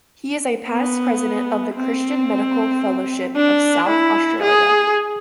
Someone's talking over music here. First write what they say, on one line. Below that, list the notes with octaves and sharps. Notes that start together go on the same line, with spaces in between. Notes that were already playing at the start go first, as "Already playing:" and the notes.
He is a past president of the Christian Medical Fellowship of South Australia.
B3
C4
D4
E4
G#4